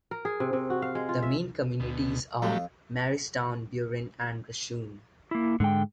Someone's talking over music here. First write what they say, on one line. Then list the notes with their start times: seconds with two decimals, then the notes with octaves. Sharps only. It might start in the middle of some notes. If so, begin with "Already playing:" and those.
The main communities are Marystown, Burin and Rushoon.
0.11 A#4
0.25 G#4
0.40 C3
0.53 C3
0.70 F#4
0.82 F5
0.95 G#3
1.09 F4
1.22 E5
1.80 D2 B2
2.42 F2 F#3 G3 A3 F5
5.31 A#3 E4
5.60 G#2 D3 G#3 G5